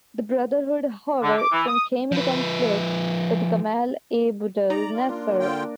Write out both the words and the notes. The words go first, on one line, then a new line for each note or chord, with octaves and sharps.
The Brotherhood, however, soon came into conflict with Gamal Abdel Nasser.
D3
D6
E3
D#6
F3 B4
D#4 D5 A#5
F4
A#3 D4
D3 F4 G5